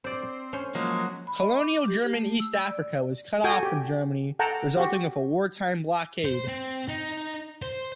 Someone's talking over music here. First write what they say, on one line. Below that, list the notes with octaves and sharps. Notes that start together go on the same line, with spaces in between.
Colonial German East Africa was cut off from Germany resulting from a wartime blockade.
C4 C5 D5
C#4 C5 C6
F3 F#3 G#3 A#3
B5
D#5
D6
G4
A3
E6
D5
F#4 A4 G5 G#5
G4
A4 F#5 G5 A5 A#5
F#4 G4
C5
C4
D#4
C5